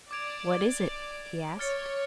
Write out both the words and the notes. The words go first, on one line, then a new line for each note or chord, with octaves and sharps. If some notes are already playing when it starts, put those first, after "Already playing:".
"What is it?" he asked.
D5 D6 G#6 D7 F7
C#5 F6 A6 C#7